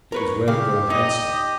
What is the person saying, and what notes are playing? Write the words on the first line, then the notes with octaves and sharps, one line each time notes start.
It was where the girl had stopped.
A#4 B4 C#5
C#3 G4 F5
D#4 D#5